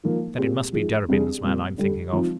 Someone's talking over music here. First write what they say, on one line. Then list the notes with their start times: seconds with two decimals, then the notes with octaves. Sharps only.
Then it must be Derebin's man I am thinking of.
0.03 F3 A#3 D#4
0.38 A#2 G#3 C4 G4
0.73 F3 G#3 D#4 G#4
1.08 C3 G3 D4 G#4
1.43 A#2 G3 C4
1.78 D3 G3 D4 G4
2.13 F3 C4 D#4